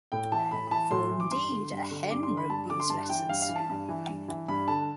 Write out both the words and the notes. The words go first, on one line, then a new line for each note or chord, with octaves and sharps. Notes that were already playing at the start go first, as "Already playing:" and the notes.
For indeed a hen wrote these letters.
A2 G5
E3 A5
A2 B5
B5
E3 A5
A2 C6
E3
D6
G2 C6
D3
G2
D3
G2 D6
C6
D3
B5
G2 A5
D3 D6
C6
G2 A5
E3 G5
G2 F5
F5
E3
A5
G2
E3
G2
E3
G2 B5
D3 A5